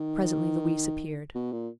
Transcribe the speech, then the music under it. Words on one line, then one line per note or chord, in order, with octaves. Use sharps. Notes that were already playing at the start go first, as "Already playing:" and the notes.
Presently Louise appeared.
Already playing: D#3
B2
A#2